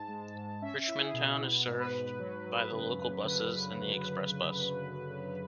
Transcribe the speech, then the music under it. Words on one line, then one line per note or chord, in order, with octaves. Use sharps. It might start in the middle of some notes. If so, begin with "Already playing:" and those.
Richmondtown is served by the local buses and the express bus.
Already playing: G#2 A5
G#3
G#2
C#4 E5
E4
G#4
B2
B3
G#2
B4
G#2
F#3
F#3
C#3
F#2
D3